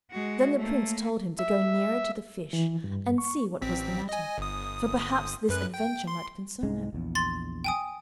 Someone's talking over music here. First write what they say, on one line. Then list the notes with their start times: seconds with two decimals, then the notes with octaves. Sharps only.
Then the Prince told him to go nearer to the fish, and see what was the matter, for perhaps this adventure might concern him.
0.11 G#3 F#4
0.57 A3 A#3
1.39 E5
2.53 E3
2.84 G2
3.18 C#6
3.62 A1 C4 B6
4.09 D#5 G#5
4.38 G1 D#6
5.49 F#2 B4 F#6
5.74 G5
6.07 C6
6.63 C2 G#2 G#3
6.93 A#1 E2
7.15 C6 A6
7.64 G5 G#5 D#6